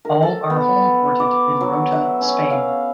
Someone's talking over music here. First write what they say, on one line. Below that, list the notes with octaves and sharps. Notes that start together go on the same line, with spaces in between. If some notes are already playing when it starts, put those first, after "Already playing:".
All are homeported in Rota, Spain.
A#4
A4
B3
D6
F#3
E5
C#4
F5